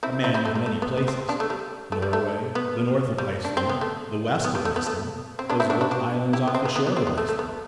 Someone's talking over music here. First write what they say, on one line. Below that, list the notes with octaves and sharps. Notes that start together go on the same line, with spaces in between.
A man of many places--Norway, the north of Iceland, the west of Iceland, those little islands off the shore of Iceland.
C4 E4
C4 E4
C4 E4
A3
G3
A3
B3
B3
C4
B3 D4
A3
G3
A3
G3
A3
B3
G3
D4
C4
B3
A3
B3
G3
A3
B3
A3
C4
B3 D4
C4 E4
D4 F#4
D4 F#4
D4 F#4
E4 G4
B3
C4
B3
B3
B3
C4
B3
A3
A3
B3